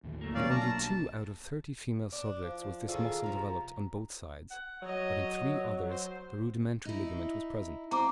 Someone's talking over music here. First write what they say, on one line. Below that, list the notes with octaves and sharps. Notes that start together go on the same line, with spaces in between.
In only two out of thirty female subjects was this muscle developed on both sides, but in three others the rudimentary ligament was present.
D#2 A2 D3
F#3 A3 A#3
D#3 B3 C#4 D5 F5
B1 D4 A5 A#5
A5
D4
F3
D#3 F4 G#4 A4
C3 F3 A#5
F#5
F#3 C#5 D#5
C5
D#4 E4
C4 F5 A#5 D6